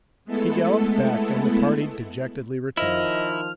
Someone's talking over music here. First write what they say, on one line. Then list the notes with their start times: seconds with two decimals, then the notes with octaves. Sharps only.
He galloped back and the party dejectedly returned.
0.25 G#3 A3 B3 E4 A4
2.77 D#3 F3 E4 D#5 F6